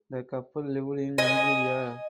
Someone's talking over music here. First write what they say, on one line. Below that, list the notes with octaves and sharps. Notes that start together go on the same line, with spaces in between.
The couple lived in Nigeria.
D#5 G#5